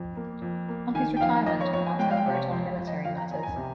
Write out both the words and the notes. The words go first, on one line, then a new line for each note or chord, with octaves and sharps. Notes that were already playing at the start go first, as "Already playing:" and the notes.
On his retirement, Martel wrote on military matters.
Already playing: F2
A#3
F2
A#3
D#3 G#5
G5
F2 F5
F2 D#5
C#5
F2 C#5
G#5
G#3 G5
F5
G5
C3
C#5
F2 C5
F2
D#5
F2 F5
A#5
F2 G#5
A#5
G#5
C3